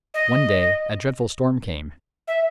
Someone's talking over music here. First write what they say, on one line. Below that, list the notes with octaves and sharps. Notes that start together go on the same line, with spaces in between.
One day a dreadful storm came.
D#5
E5